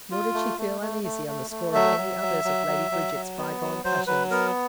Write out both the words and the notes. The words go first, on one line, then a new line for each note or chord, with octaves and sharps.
Nor did she feel uneasy on the score of any others of Lady Bridget's bygone passions.
F4
A3
A3
A3
A3
A3
A3
F#3 E5
F#3
F#3
F#3
F#3
F#3
F#3
B3
F#3
F#3 C5
F#3 B4
B3 A#4